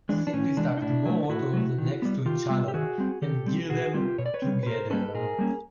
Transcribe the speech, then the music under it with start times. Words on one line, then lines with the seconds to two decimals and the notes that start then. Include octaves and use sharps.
Simply stack more rotors next to each other, and gear them together.
0.09 E3 G#3 D4
0.27 D4
0.33 A2 C#4
0.57 E3 G#3 D4
0.77 D#4
0.82 A2 D4 E4
1.05 F#3 A3
1.29 A2 E4 F#4
1.53 F#3 A3
1.78 D#3
2.02 G3 B3
2.25 D#3 F4 G4
2.50 G3 B3
2.68 G4
2.74 D#3 F#4 G#4
2.98 G3 C4
3.22 D#3 G4 A4
3.46 G3 C4
3.70 B2 F#4 G#4
3.94 G3 C4 F4 G4
4.18 B2 C#5
4.26 D5
4.34 B4 C#5
4.42 C4
4.47 G3
4.63 B4
4.66 A#2 A#4 C5
4.90 G3 A#3 C#4 A4 B4
5.14 A#2 G#4 A#4
5.39 G3 A#3 C#4